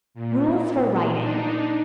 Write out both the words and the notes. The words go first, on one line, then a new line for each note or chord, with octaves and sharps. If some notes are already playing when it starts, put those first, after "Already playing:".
Rules for Riding.
A#2
D4 D#4